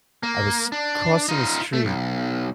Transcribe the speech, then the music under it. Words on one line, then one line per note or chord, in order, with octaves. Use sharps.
I was crossing the street
A#3
D4
D#4 F4
A3
B1